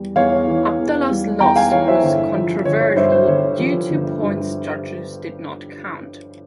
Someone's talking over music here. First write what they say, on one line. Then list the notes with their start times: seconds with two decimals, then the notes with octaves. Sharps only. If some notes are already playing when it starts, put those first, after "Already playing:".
Abdallah's loss was controversial due to points judges did not count.
Already playing: E2 G3
0.15 E2 C#5 F5
0.47 E3
0.79 E2
1.10 G3
1.40 E2 G5 A#5
1.56 F5 G#5
1.71 E3 C#5 F5
1.87 C5 E5
2.03 G1
2.35 F3
2.65 G1 C#5
2.81 C#5
2.96 G2 C5 E5
3.12 C5
3.28 G1 C#5
3.59 F3
3.90 G1
4.22 G2